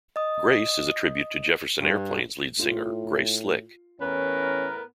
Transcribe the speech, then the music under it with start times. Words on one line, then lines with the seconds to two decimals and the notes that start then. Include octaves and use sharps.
"Grace" is a tribute to Jefferson Airplane's lead singer, Grace Slick.
0.16 D#5 D#6
1.80 G2
2.59 A2 F4
4.01 E2 A2 B3 C#4 A#4